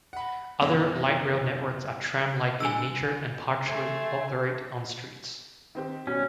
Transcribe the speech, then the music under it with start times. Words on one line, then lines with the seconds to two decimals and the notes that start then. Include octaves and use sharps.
Other light rail networks are tram-like in nature and partially operate on streets.
0.13 F#5 B5
0.61 F#2 B2 E3
2.60 D3 G3 G#5 E6 D7
3.68 A3 G#5 C6
5.75 D#3 C4 G4
6.07 B2 G3 C#4